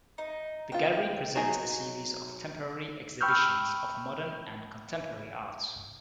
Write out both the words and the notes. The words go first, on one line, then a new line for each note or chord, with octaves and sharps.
The gallery presents a series of temporary exhibitions of modern and contemporary art.
D#4
B3 F4 G5
F#3 D#4 G#4
G5 B5 C#6 E6 F6 G6